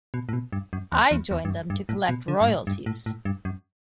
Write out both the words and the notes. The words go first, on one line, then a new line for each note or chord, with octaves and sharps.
I joined them to collect royalties.
B2
A2
B2
G2
F#2
E2
E2
E2
G2
F#2
G2
A2
B2
D3
G2
A2
G2
A2
A2
G2
F#2